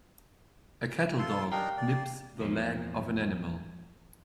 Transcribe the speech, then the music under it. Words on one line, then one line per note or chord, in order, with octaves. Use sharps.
A cattle dog nips the leg of an animal.
F4 A4 C6
D4 D#4 G4 A#4 F5 G5
D5
E2 A#2 D3 F3